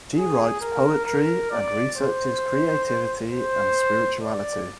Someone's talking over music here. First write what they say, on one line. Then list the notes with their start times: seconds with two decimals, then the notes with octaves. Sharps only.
She writes poetry and researches creativity and spirituality.
0.16 G#4
0.61 A#4
1.06 A#4
1.51 D5
1.96 C5
3.32 C5
4.22 D5